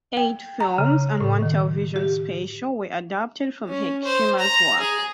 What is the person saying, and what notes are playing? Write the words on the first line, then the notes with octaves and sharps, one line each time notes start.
Eight films and one television special were adapted from Hergesheimer's work.
G5
A#5
C#3
A2
D#3
G4
C#4
C5
A#5
G#4